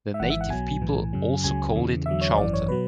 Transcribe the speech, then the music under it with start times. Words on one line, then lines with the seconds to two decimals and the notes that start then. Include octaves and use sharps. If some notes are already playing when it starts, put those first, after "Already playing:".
The native people also called it Chalten.
0.14 E5
0.20 G#1 G#2 E3 F#5
0.30 E5
0.41 F#5
0.50 B1 B2 F#3 G#5
0.81 B1 A2 E3
1.13 F#2 C#3 F#3
1.43 C#2 C#3 F#3 G#5
1.75 E2 C#3 E3
2.06 E2 D3 F#3 E5
2.21 C#5
2.37 G#1 F#2 E3 D5
2.54 C#5
2.69 B2 F#3 B4